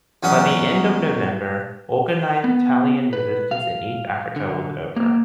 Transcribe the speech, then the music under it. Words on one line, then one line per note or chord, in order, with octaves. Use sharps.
By the end of November, organized Italian resistance in East Africa was over.
E2 F#3 C#4 D#4 F#5 D#6
B3
B4
F5
D3
A#3